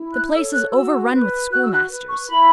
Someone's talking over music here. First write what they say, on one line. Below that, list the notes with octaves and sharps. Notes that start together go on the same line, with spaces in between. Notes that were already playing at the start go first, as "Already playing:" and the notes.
The place is overrun with schoolmasters.
Already playing: E4
F#6
A4 C#5 E6
F#6
F#4 E6
B4
F#4 F#6
E6
F#6
B4
C#6
E4 B5